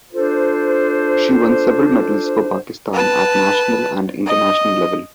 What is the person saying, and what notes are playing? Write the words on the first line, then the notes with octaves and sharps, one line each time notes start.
She won several medals for Pakistan at national and international level.
D4 F4 A4 C5
B4 A5
D#5